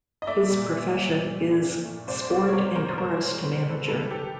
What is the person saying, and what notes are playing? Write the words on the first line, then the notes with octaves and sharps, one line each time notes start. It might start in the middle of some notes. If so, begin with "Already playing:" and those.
His profession is Sport- and Tourist manager.
D#5
A3 D5 E5
A#2
A#2
A#2
A#2
A#2
F3
A3
C2 C5 D5
B2 C5 D5
C#5
C2 A#4 C5
B2 A#4 C5
C2 A#4 C5
G#3
B2 B4
C5
G#3 A4 B4
D#3 A4 B4
D#3 G4 A4